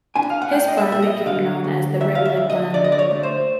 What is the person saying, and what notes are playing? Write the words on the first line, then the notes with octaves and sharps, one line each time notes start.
His plan became known as the "Ripley Plan".
D4 G#5
F5
F#5
A3 G5
D#5
E5
A#2 E5
D#5
D3 F5
D2
F#3 E5
F5
E5
D2
D#5
D3 D5
D#5
D5
C#5
A3
C5